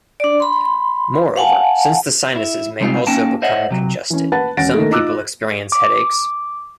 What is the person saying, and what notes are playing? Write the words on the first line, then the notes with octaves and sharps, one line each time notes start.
Moreover, since the sinuses may also become congested, some people experience headaches.
D4 D5
B5 C6
F5 F#5 G#5 A5
E4
C3 G3 G#3 C4 D#4 F4
A#3 C#4 D#4 G5 A5
C5 C#5 D#5 E5 F#5
C3 F#3
E3 C#4
B4 F#5 A5 F#6 A6
E1 C#4 F#5 A6 A#6 D7
D#3 A3 A#3
D#4 F4 D6 E6 F#6
D6